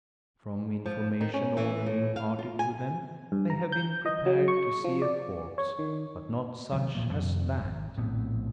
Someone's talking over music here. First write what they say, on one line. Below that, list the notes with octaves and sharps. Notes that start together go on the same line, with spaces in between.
From information already imparted to them they have been prepared to see a corpse, but not such as that!
F3
D#3
C#4
E3
A2
F5
F4
G#5
G2
A#5
G6
D#5
F#3
C#6
F3
D5
C#5
D#3
C3 D#3 F#3
D#1 A#2 F3 A#3
F2 C3 D#3
G#1
A#1 A2 B3 C4